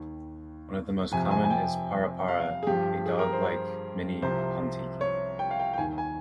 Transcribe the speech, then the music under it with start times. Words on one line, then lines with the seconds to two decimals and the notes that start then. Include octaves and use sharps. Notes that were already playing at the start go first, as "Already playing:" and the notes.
One of the most common is Parapara, a dog-like mini pontiki.
Already playing: D#2 D#3
1.12 F2 C3 F3 G#5
1.31 G#5
1.44 G#5
1.50 G5
2.28 F5
2.63 G#4
2.67 G2 F3 G4
3.06 G#4
3.19 A#4
3.33 C5
4.22 C2 C3 F3 C5
5.01 C#5
5.39 G5
5.51 F5
5.59 G5
5.73 G5
5.78 D#2 D#3 G#5
5.98 G#5